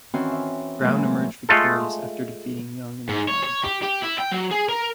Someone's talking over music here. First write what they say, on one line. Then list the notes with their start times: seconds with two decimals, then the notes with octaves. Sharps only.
Brown emerged victorious after defeating Young in the final.
0.14 D#3 E3 C4 C#4 F#4 C6
0.32 E5
0.81 A#2 E3 F#3 G#3 A3
1.49 G#3 A3 F4 A4
3.09 G#2
3.28 C#5
3.44 C#5
3.64 G4
3.82 G4
4.02 E4
4.19 G5
4.32 F#3
4.51 G#4
4.69 A#4